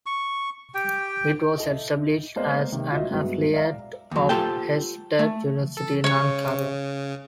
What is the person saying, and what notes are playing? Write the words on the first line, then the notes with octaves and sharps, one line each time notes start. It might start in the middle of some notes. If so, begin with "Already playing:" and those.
It was established as an affiliate of Hacettepe University in Ankara.
C#6
G4 G5
E4 A4 D#5
G#3 A#3 B3 C5 D5 D#5
C3 D#3
F4 F#4 D#5 E5
G2 F#3 G#3 B3 E4
D5 E5 F5 A#5
D#2 F#3
F4 G4 A4 C5 G5
A3
A4
C#3 C#5 C#6